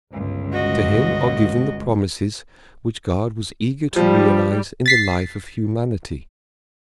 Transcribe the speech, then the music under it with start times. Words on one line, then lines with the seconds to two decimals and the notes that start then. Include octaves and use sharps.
To him are given the promises which God was eager to realize in the life of humanity.
0.10 G1 C#2
0.52 F#4 D#5
3.96 F3 G3
4.86 A6 B6 C7